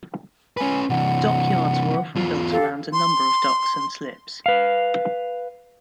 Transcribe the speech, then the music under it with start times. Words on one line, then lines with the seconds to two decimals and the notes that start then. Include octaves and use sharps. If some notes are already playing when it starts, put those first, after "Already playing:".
Dockyards were often built around a number of docks and slips.
0.57 C#4 B4 G#5
0.90 C3 E3 F#5
2.15 E2 F4
2.52 G4 A4 F5
2.93 C6
4.46 B4 F5